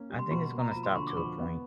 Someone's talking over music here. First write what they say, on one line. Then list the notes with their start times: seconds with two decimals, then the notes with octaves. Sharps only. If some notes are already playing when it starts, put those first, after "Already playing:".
I think it's gonna stop to a point
Already playing: A#3 C#4
0.10 G3
0.19 C6
0.31 B2 B5 C#6
0.53 A#3
0.59 A#5
0.71 F3 B5
0.84 C6
0.95 D3 B5 C#6
1.07 D6
1.17 F2 B5 C#6
1.38 B3